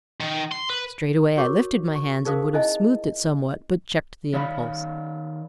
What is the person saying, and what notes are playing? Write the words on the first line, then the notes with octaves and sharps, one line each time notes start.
Straightway I lifted my hands, and would have smoothed it somewhat, but checked the impulse.
D#3
C6
B4
F#4 A#4 C#5 C#6 D6
C#6
D#4 G#4 A#4 C5 F5 D#6
C#4 D#4 E4 D#5 E5 G#5
D#3 C#5 D5 F5 B5